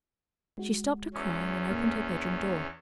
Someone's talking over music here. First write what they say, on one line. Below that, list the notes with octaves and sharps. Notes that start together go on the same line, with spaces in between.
She stopped her crying, and opened her bedroom door.
G#3 F#4
E2 C#4
A2 A#3 F6